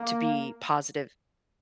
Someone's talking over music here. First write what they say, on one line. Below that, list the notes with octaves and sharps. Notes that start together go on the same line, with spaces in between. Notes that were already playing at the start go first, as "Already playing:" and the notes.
to be positive
Already playing: A#3